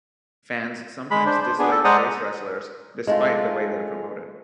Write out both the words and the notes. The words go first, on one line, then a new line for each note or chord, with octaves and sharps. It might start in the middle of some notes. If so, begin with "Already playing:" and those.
Fans sometimes dislike face wrestlers despite the way they are promoted.
G#3 B5
D4 C5
C5
B3 D4 G#4
A4
G#3 C5 D5 F#5 A#5 D#6
G#3 A3 F4